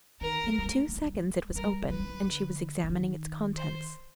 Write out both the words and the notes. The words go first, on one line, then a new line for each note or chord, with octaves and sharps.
In two seconds it was open and she was examining its contents.
D#3 A#4
F#3
G#3
A3
A3
G#3
G3
G#3
F#3
G3 A#4
F#3 B4
F3
F#3
D3
D3
D#3
C5